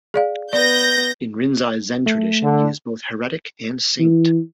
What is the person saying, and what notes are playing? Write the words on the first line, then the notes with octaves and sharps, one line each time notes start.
In Rinzai Zen tradition, he is both heretic and saint.
G#4 D5 F5
B3 B4 D5 G6 A#6
A3
D3
E3